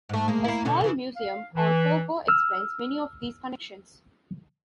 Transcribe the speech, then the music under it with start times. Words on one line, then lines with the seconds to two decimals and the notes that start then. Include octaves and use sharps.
A small museum on Fogo explains many of these connections.
0.09 G#2 A3
0.28 G#3 A#3
0.44 A#3 E4
0.65 B2 D3 C#4
0.81 C#3 E3
1.15 F5
1.54 E3
2.28 E6 F6